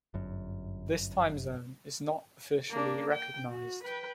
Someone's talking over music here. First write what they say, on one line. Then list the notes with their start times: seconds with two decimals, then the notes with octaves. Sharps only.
This time zone is not officially recognised.
0.14 G1 F#2
2.70 A#3 D4
3.13 G5
3.51 F#4
3.83 B4 G5